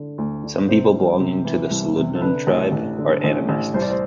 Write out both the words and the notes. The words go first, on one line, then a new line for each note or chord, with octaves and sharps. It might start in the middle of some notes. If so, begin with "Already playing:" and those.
Some people belonging to the Suludnun tribe, are animists.
Already playing: D3
D2
D3
B4
C3 C5
C2
C3
E3
C2
C3
A4
D3 B4
A1
A1
D3
A1
A1
C2 C5
D5
C5